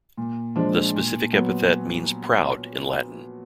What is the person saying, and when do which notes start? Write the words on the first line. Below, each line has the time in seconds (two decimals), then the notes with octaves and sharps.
The specific epithet means "proud" in Latin.
0.18 A#2
0.56 F3 G#3 D4
0.95 A#2
1.33 F#3 B3